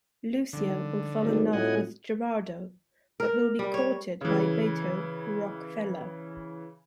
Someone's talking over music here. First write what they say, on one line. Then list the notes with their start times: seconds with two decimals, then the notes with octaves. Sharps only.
Lucia will fall in love with Gerardo but will be courted by Beto "Roque-feller".
0.53 D3 F3 G3 D#4
1.22 G#1 G3 D#4
1.53 A2 C4 F4 F#4 D#5 F#5 G#5
3.20 A#4
3.59 G3
3.74 C#5
4.21 C#3 E3